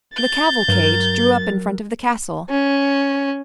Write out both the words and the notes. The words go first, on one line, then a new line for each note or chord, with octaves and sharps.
The cavalcade drew up in front of the castle.
G6 A6
G2 F#3 A#4
C#4